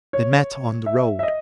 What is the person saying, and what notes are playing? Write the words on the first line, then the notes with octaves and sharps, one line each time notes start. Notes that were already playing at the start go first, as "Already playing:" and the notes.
They met on the road.
C#5
E5
E5
D#5